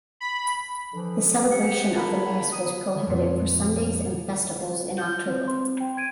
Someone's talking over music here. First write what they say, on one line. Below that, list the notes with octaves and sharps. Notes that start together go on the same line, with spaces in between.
The celebration of the mass was prohibited for Sundays and festivals in October.
B5
D3 E3 F3
G4 B4 C5 F#5
A#3 D4 E4 G#4 B5
B2 F#3 D#6
F2 A#2
G6
C4
C6
G5
G#6 D7 D#7